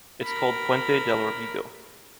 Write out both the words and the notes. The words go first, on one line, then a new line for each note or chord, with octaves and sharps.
It's called Puente del Órbigo.
A#4 B5